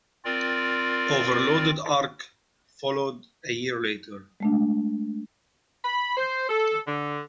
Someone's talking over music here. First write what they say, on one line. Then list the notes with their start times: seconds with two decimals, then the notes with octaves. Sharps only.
"Overloaded Ark" followed a year later.
0.25 C4 F4 A#4 D5
4.40 G#3 A3 D4
5.84 B5
6.17 C5
6.49 A4
6.87 D3